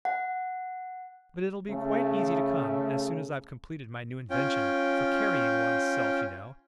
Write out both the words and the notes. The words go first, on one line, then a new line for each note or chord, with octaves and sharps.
But it'll be quite easy to come, as soon as I've completed my new invention--for carrying one's-self, you know.
F#5
C#3 A3
C#4 F4 G5